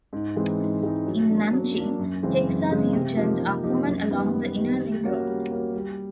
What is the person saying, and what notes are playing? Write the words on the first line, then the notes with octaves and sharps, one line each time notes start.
In Nanjing, Texas U-turns are common along the Inner Ring Road.
G#2
E3 G#3 C4 D#4
G#2
E3 G#3 C4 D#4
F#3
A#3 D4
F#3
A#3 D4
F#2
C#3 E3 G#3 C4
F#2
C#3 E3 G#3 C4
C3
F3 A#3 D#4 G4
C3
F3 A#3 D#4 G4
F#2
D#3 G3 B3
F#2
D#3 G3 B3
G3
A#3 C#4 F#4
G3
A#3 C#4 F#4
G3